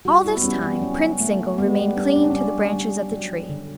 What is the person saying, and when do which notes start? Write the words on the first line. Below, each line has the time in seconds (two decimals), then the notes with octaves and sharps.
All this time Prince Zingle remained clinging to the branches of the tree.
0.05 G3 F#4
0.24 E4
0.37 B3
0.43 G3 C#4
0.62 B3
0.81 F#3 C#4
1.20 A3
1.58 G3 B3
1.96 G3 D4
2.15 C#4
2.24 D4
2.31 G3 C#4
2.73 G3
3.11 F#3
3.49 D3